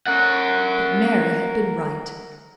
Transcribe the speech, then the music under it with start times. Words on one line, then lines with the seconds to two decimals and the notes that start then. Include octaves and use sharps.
But Mary had been right.
0.07 A#4 F#5